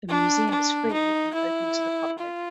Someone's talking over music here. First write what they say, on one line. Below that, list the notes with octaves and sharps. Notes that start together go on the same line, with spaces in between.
The museum is free and open to the public.
D4
D4
D#4
E4
F4